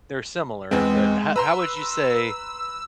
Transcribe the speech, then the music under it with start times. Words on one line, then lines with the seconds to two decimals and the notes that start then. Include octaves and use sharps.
They're similar, but ho how would you say
0.71 E2 G#3 B3 C4
1.36 B4 A#5 C6 E6